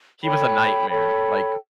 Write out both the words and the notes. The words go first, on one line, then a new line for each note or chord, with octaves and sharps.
he was a nightmare, like,
A4 C#5 G5 B5
A4 C#5 G5 B5